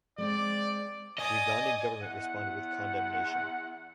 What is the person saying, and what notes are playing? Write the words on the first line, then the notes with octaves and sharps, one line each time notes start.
The Ugandan government responded with condemnation.
G#3 C4 D5
D5 D#5 G#5 D#6
E2 F#5